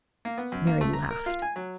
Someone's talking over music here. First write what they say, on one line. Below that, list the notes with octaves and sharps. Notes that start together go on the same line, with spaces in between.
Mary laughed.
A#3
B3
F#2
A#3
A3
A#5
A#4
F4
G#5
F#3